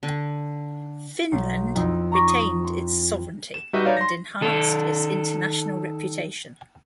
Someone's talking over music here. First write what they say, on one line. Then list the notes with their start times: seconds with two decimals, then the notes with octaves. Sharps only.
Finland retained its sovereignty and enhanced its international reputation.
0.03 D3
1.32 B1
1.75 F2 D#4 E4
2.12 A#5 B5 C#6 D6 A#6
2.28 D#6
2.65 C6
3.54 E7
3.73 G3 D#4 F#4 B4 D#5 E5
3.85 D#4 C#5 D5 F5
3.97 C6 A#6
4.41 D#3 A4